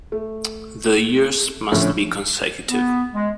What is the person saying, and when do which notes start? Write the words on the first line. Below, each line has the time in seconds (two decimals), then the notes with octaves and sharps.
The years must be consecutive.
0.12 A3
1.72 A2 D3 F3 A3 C#4
2.69 B3
3.13 G#3